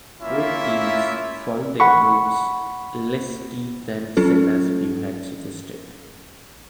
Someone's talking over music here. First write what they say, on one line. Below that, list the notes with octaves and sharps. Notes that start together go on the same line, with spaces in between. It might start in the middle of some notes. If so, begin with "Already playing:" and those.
Both teams found their routes less steep than Sella's view had suggested.
A#3 C#4 E4 F4 E5
F#5 B5 C#6
F#3 C#4 F4 A4